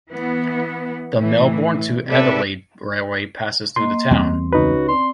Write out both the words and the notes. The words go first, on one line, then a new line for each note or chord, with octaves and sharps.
The Melbourne to Adelaide railway passes through the town.
E3 B3
A2 E3
C3 C4 A4 B4 D5 E5
A#3 D#5 C6
E2 G3 C4
C#2 C#4 D#4 F#4 B4 C#5
C4 D5 C6